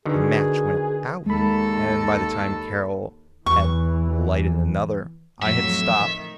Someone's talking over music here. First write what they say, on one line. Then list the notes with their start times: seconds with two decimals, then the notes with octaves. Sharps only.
The match went out, and by the time Carroll had lighted another I had stopped.
0.06 D3 D#3 F#4 G#4 A#4 B4
1.26 D#2 G#3 A4 B5
3.46 E2 E3 C#6
5.42 F2 A2 F#3 E5
5.91 D#3